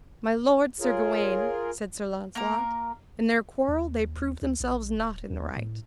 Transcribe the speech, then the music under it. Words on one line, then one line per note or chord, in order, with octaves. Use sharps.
My lord Sir Gawaine, said Sir Launcelot, in their quarrel they proved themselves not in the right.
F4 G#4 A#4 C#5
A#3 A#4
D#2
D2
A#1
D1
D#2
A2